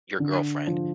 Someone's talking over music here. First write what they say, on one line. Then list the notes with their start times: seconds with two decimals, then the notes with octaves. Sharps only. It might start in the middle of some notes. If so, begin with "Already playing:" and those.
your girlfriend,
0.19 D3
0.67 F3